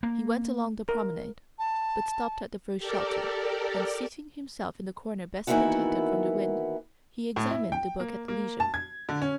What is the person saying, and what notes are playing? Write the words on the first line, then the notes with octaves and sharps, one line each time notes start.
He went along the promenade, but stopped at the first shelter, and seating himself in the corner best protected from the wind, he examined the book at leisure.
A#3
A#4
A5
G4 A4 A#4 D5
D#3 E3 A#3 B3 E4 F#4
A2
E4
G5
A#3
A#3
A5
G#6
D3
C#4